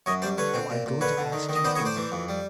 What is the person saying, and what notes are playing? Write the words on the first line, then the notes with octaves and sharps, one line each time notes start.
"Now I am going to ask two things of you."
F#2 C#5 D#5
G3 C5 D5
D3 B4 C#5
C4
A#2
A#2
D3 B4 C#5
D3
D#3
D#3
D#5
B3 C5 D5
C#5 D#5
A2
C5 D5
E3
F2
G3